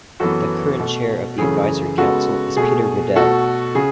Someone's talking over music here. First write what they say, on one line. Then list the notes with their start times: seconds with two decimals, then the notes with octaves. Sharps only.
The current Chair of the Advisory Council is Peter Riddell.
0.20 F#2 E3 B3 F#4 A4
0.80 B2 A3
1.38 F#2 C#3 E3 A3 G#4
1.98 C#3 G#3 B3 F#4 A4
2.56 B2 A3 G#4
3.16 B2 A3 F#4 A4
3.75 C#3 G#4